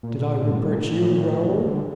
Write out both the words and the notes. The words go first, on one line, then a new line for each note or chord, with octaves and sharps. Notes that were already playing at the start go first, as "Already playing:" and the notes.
"Did I reproach you, Raoul?"
A#2
A#2
A2
G2
A2
A#2
A2
A#2
A2
A2
G2
G2
D3